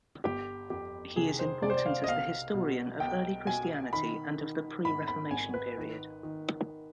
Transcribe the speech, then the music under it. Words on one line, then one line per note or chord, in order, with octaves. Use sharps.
He is important as the historian of early Christianity and of the pre-Reformation period.
G1 G4
F2 G4
C3 G#4
C5
C3 D5
C5
D5
F5
D#5
B1 F5
B2
B1 G5
B2 G#5
D#3 B5
D#3
G#2 B5
B5
G#1 G#5
B4
D#3
D#3